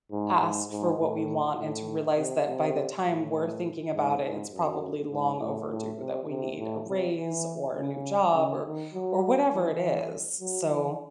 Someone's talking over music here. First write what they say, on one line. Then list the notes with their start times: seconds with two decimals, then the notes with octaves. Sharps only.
ask for what we want and to realize that by the time we're thinking about it, it's probably long overdue that we need a raise or a new job or or whatever it is, so
0.11 G#2
0.41 G#2
0.70 G#2
0.99 A2
1.58 A2
2.17 C3
2.47 C3
3.06 A2
3.94 G#2
4.22 G#2
4.52 F#2
5.11 G#2
5.40 A2
5.70 A2
5.99 C3
6.29 C3
6.58 A2
6.88 C3
7.17 E3
7.75 C#3
8.34 C#3
8.64 D#3
8.94 F#3
9.52 E3
10.40 F#3
10.69 E3